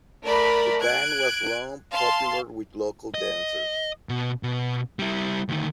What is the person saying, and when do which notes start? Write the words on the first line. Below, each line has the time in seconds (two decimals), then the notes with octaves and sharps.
The band was long popular with local dancers.
0.24 A3 A#4 D5 B5
0.82 F#6 G#6 D7
1.92 F5 A5 C6
3.14 D#5
4.09 B2
4.43 B2
4.99 G3 E4
5.49 D2 D#3